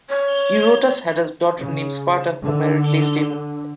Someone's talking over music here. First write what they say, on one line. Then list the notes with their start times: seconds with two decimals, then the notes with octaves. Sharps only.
Eurotas had a daughter named Sparta, who married Lacedaemon.
0.09 C#5
1.61 C#3
2.41 D3